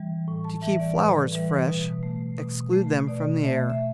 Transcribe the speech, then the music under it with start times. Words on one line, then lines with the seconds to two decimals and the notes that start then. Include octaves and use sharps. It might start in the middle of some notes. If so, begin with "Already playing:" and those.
To Keep Flowers Fresh exclude them from the air.
Already playing: E3 G3
0.28 A2
0.44 A5
0.62 E3 G3 E5
0.80 D5
0.97 A2 B4
1.33 E3 G3 B4
1.67 B2 B4
2.03 A3
2.38 B2
2.73 A3
3.07 B2 D5
3.43 A3 E5
3.70 E5